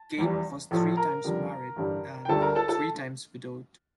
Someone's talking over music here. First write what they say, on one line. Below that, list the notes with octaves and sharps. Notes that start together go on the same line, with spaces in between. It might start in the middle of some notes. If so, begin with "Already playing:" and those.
Cape was three times married and three times widowed.
Already playing: A5
F1 E2 E3 G3
A#1 A2 F3 A3
A#4 A#5
F2 D3 G3
A1 G2 D3 G3
G5
D2 D3 G3 A4 A5
A#4 A#5
A4 A5
A4 A5